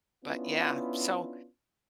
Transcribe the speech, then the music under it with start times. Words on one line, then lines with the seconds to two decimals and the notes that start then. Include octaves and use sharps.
but yeah, so
0.24 B3 C#4 D4 E4 F4